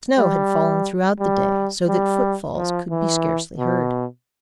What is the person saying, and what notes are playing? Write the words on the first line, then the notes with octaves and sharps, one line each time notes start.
Snow had fallen throughout the day, so that footfalls could be scarcely heard.
G3
G3
G3
F3
E3
B2